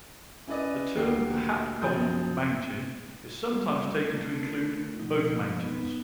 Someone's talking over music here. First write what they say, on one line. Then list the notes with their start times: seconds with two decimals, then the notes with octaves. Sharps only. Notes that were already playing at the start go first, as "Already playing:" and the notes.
The term "Pohatcong Mountain" is sometimes taken to include both mountains.
0.48 C#4 E4 B4 D5 D#5
0.96 D2 A#2 G4 A#4 C7
1.82 F#2 F3 D#6 G6
3.52 F#3 G3 A3 A#3 F4 G#4
4.14 A3 D4 F4 A4 A#4
4.99 B2 F3 D#4
5.46 F3
5.63 B3 D#4 B4